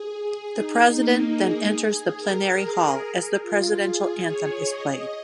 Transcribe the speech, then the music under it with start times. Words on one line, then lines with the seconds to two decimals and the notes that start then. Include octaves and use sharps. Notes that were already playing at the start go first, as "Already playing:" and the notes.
The President then enters the Plenary Hall as the Presidential Anthem is played.
Already playing: G#4
0.54 D#4
0.95 A#3
1.36 G#4
2.19 A#4
2.60 G#4
3.42 F4
3.83 G#4
4.25 C#5
4.66 D#5